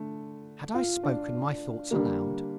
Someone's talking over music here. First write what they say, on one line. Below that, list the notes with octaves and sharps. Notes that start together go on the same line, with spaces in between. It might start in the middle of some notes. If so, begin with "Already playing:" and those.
Had I spoken my thought aloud?
Already playing: D3 A3
F4
D4
D3 G3 A#3